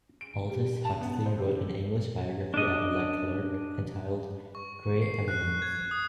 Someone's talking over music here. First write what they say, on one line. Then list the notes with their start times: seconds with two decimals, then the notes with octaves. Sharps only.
Aldous Huxley wrote an English biography of Leclerc entitled, "Grey Eminence".
0.21 D7
0.50 G3
0.85 A5
1.01 B3
1.26 C5
1.38 C3
2.54 D4 D#5
4.55 C#6
5.02 C7
5.28 F#6
5.62 G#6
5.91 D#6